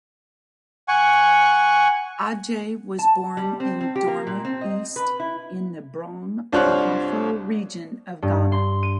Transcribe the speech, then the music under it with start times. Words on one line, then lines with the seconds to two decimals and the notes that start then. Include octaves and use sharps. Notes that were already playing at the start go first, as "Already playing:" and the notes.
Adjei was born in Dorma East in the Brong Ahafo Region of Ghana.
0.88 F#5 G#5 C#6
2.99 A5
3.37 G3
3.60 C4
3.81 C4
3.96 G4
4.08 A#3
4.27 A#2
4.45 C4
4.61 D#5
4.96 B4
5.20 E4
6.52 C2 D4 F4 C5 C#5 F#6
8.22 G2
8.52 C6
8.83 D#7